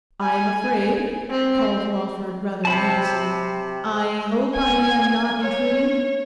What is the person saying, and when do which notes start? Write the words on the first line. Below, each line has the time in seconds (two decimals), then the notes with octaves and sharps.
'I am afraid,' called Lawford rather nervously--'I hope I am not intruding?'
0.22 G#5
1.30 C4
2.65 C3 A5 B5
4.54 G#5 G#6
5.41 C#5